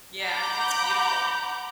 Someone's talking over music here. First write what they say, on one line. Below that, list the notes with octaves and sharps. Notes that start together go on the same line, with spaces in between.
Yeah, that's beautiful.
F#5 A#5 B5 D6 G6